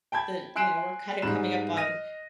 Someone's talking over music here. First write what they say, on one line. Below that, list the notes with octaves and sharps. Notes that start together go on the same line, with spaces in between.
the you know, we're kinda coming up on
G5 A5 B5 G#6
G#5 C6 F#6 C7 D7 E7
G#2 G3 B5 F#6 E7
D#5 F6 A#6 D#7